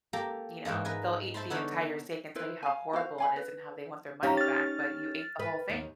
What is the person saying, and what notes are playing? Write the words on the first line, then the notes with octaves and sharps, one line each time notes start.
you know, they'll eat the entire steak and tell you how horrible it is and how they want their money back, but you ate the whole thing.
A#3 G4 A4 A#5
G#2 E3 A#3 D#4
A#4 B4 D#5 G#5
C5 E5 A5 B5 C6
D3 B3 D#4 A4 B4 C#5
E4 B4 C5
F5 G#5
F#4 C5 F5
F5 G#5 B5
B4
C#4 D#4 G4 F5 A#5
F6 A6
B4
D#2